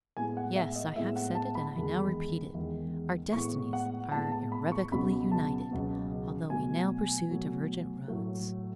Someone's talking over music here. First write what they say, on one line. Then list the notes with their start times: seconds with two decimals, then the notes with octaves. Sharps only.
Yes, I have said it and I now repeat it: our destinies are irrevocably united, although we now pursue divergent roads.
0.17 A2 G#3 B3 G#5
0.37 F#5
0.56 E5
0.76 D#5
0.96 A2 G#3 B3 E5
1.16 F#5
1.35 A5
1.55 B5
1.75 E2 D#3 G#3
2.54 E2 D#3 G#3
3.33 A2 G#3 B3 C#6
3.73 F#5
4.12 A2 G#3 B3 A5
4.32 A5
4.52 B5
4.72 C#6
4.91 C#2 B2 F#3 B3 B5
5.32 A5
5.71 C#2 B2 F#3 B3
6.50 B2 F#3 A3 G#5
7.29 B2 F#3 A3
8.08 A2 F#3 A3